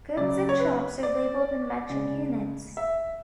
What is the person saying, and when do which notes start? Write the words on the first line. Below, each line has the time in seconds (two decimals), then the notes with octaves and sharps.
Goods in shops are labelled in metric units.
0.17 C#3 F#3 D5
0.49 C#5
0.60 B4
1.03 D5
1.90 C#3 G#3
2.77 E5